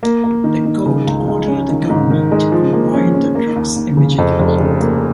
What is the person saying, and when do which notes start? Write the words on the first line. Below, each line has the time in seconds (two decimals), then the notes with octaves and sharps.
The court ordered the government to provide the drugs immediately.
0.03 A#3
0.24 A#3
0.44 D#3
0.65 D#3
0.86 C#3
1.07 C#2
1.28 C#2
1.48 C#4
1.69 D#3
1.90 G#2
2.10 D#3
2.32 G#3
2.52 F3
2.73 A#3
2.94 C#4
3.14 C#4
3.35 A#3
3.56 D#2
3.76 D#2
3.97 C#3
4.18 F2
4.39 F1
4.60 C#3
4.81 A#3